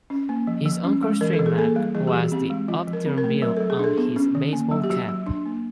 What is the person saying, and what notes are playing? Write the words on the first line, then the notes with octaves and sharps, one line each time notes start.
His on-course trademark was the upturned bill on his baseball cap.
C#4
A#3
F3
F3
C#4
G#3
E3 A#4
A4
E3
G#4
A#3 A4
G3
E3 G#4
G4
E3
F#4
C4 G4
G#3
F3 F4
F3
A#4
C4
A#4
A3
F#3 A#4
F#3 A4
G#4
D4 A4
B3
C#4
D#3
A#3
F#3
G4
F#3 F#4
F#3
D4
A#3